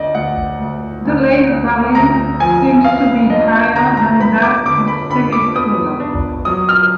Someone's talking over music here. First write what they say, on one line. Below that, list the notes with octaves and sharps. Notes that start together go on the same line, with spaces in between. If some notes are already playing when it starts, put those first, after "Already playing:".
The lake valley seems to be higher than that of Temecula.
Already playing: D2 D3 D5 D#5
D2 F#5
D2
D2
D2
D2 A#5
F3 G#5
B3 F5
D4 D#5
D3 A#5
A#5
B3 B5
D6
D3 D6
B5
D3 B5
D6
B3 D#6
D4
F#3 D#6
F6